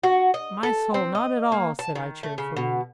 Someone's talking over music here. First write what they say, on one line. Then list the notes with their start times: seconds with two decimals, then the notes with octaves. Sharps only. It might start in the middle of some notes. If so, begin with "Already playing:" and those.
'My soul, not at all!' said I, cheerfully.
0.03 F#4
0.34 D#5
0.63 A4
0.94 C4
1.15 D#5
1.52 A#3
1.79 A5
1.95 D#3
2.23 A3
2.38 C#3
2.57 B2